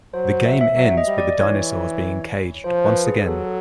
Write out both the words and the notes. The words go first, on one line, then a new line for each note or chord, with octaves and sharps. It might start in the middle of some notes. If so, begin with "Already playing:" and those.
The game ends with the dinosaurs being caged once again.
F#3 C5
E5
E5
F#3 E5
D#5
G3
D5
E3 C#5
F3 C5
B4
G#4
F#3 A4